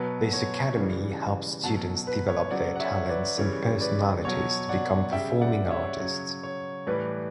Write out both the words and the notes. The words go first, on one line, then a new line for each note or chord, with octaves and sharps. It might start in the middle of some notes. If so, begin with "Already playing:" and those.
This academy helps students develop their talents and personalities to become performing artist.
Already playing: B2 F#3 B4
C#5
C#3 E3 G3
B2 F#3 F#5 A5
B4
C#5
C#3 F#3 D5 F#5
F#5
C#5 E5
B4 D5
C#3 E3 G3 C#5
B4 D5
B2 F#3 C#5
D5 F#5
C#3 G3 E5 G5
D5 F#5
C#5 E5
C#3 F#3 C#5
C#5
A2 E3 G3 B4 D5